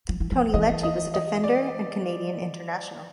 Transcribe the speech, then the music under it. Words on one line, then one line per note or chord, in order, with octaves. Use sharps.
Tony Lecce was a defender and Canadian international.
F3
E3
F3
E3 D#5
D#5
D#5
D#5
D5